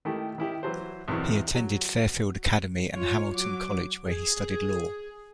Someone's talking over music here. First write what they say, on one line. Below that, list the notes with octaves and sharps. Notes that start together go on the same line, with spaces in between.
He attended Fairfield Academy and Hamilton College, where he studied law.
D#3 A3 E4 G4
D#3 E4 G4
E3 F#3 C5
B1 E2 C4 E4 C#6
F#3
F4 C#5
F#3 D6
G#4